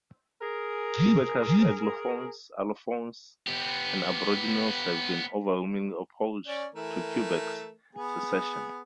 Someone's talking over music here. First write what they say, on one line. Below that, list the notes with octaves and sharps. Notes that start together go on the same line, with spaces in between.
Quebecer anglophones, allophones and Aboriginals have been overwhelmingly opposed to Quebec's secession.
G#4 A#4
B3 G4
C#4 D5
E3 A3 A#4
B3 G#4